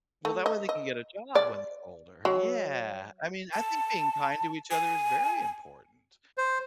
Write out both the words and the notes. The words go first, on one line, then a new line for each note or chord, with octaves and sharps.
Well, that way they can get a job when they're older, yeah, I mean, I think being kind to each other is very important
A3
D#5
D#5
D5
F#3
A5
G#5
C5